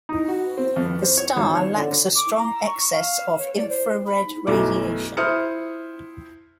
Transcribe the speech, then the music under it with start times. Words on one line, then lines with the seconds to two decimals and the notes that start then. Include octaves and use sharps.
The star lacks a strong excess of infrared radiation.
0.09 D#4
0.28 F#4
0.57 C4
0.76 F2
1.02 C5
1.17 C#5
1.36 G#1
1.56 C#5
1.76 D3
2.16 D6
2.38 A#5
2.67 C#6
2.92 F5
3.38 C#5
3.56 D5
3.69 C5
4.06 B5
4.47 B1 F#2 B2 A3 E4 D6
5.17 E4 C5 D#6 F6 C#7